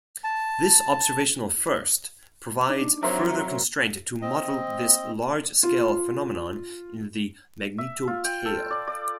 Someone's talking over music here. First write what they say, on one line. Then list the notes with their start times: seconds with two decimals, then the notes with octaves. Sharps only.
This observational first provides further constraint to model this large-scale phenomenon in the magnetotail.
0.24 A5
2.70 D4 D#4 D6
3.03 F2 F#3 A#4 C5 C#5 E5 C6
4.22 C4 D#5
5.63 F4
7.78 E5
8.07 F4
8.25 G5
8.45 A4
8.71 D5
8.87 D5